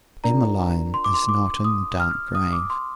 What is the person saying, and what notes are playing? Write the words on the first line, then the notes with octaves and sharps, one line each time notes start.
"Emmeline is not in the dark grave."
D4 F4 A#4 D5 A#5
C6
D6
C6
D6
D#6
F6
D#6
D6
C6